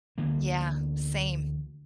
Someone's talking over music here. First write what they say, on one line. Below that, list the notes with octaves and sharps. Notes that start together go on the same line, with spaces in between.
Yeah, same.
D2 D3 E3 A#3